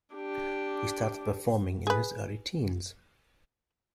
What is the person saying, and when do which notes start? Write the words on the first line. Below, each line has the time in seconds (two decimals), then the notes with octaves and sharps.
He started performing in his early teens.
0.15 D4 G4
1.87 G#4 B4